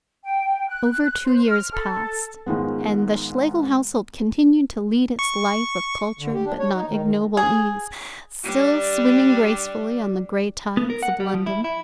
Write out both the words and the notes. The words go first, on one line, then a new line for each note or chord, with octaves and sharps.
Over two years passed, and the Schlegel household continued to lead its life of cultured but not ignoble ease, still swimming gracefully on the grey tides of London.
G5
F#6
C5
F6
A4
G#2 D#3 F3 G#3 B3
C#6
D3
G4
D4
C#5
D#4
D#3
D#3
G#4
G3 D4
B3
A#4
F#5
G3
F3
E4
E4